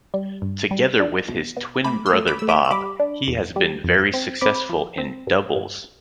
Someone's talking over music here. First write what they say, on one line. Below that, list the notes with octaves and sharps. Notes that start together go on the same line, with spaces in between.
Together with his twin brother Bob, he has been very successful in doubles.
G3
G2
G3
D4
B2
B2
A3 B5 D6
C6 E6
A3
B5 D6
A3 E6
B5 D6
E6
G3 B5 D6
D4
E2
G3
F2
C4
C4 B5 D6
F3
C4
G2
G2